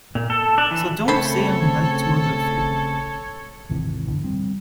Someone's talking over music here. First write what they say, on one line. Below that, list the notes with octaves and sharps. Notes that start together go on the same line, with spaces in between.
So don't say I'm like to other few.
A#2
A4
D4
E3
C#3 A3 C4 A4 C5 C#5 B5
G#1 D#2 C3 E3
F#2 B2 D3 E3
G3 C4